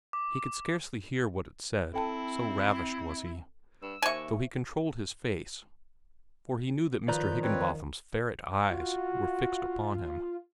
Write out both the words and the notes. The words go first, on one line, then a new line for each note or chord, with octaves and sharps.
He could scarcely hear what it said, so ravished was he, though he controlled his face, for he knew that Mr. Higginbotham's ferret eyes were fixed upon him.
D6
C4 E4 A4 G5 A5
G2 E6
D#2 C5 E5 G#5 C#6
D#3 F3 B4 D5 A#5 G6
C4 B4 C#5
F4 F#4